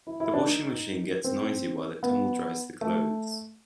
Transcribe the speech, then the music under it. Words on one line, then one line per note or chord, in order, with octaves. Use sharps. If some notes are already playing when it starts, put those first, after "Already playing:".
The washing machine gets noisy while it tumble dries the clothes.
E4
E4
D4
D#4
C4
B3
A3